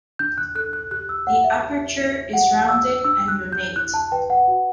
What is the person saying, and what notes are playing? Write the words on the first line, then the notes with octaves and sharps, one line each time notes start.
The aperture is rounded and lunate.
D4 G6
F#6
A4 F#6
F#6
G4 F#6
E6
C#5 F#5
E5
G4
C#5
G4 F#5
D5 E6
D4 E6
F#6
G4
G6
E4 F#6
A5
B4 G5
F#5
F#4